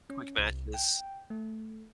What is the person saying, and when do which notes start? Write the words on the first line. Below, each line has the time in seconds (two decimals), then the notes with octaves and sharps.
Quick matches.
0.10 C#4
0.38 C2
0.74 G5
1.30 A3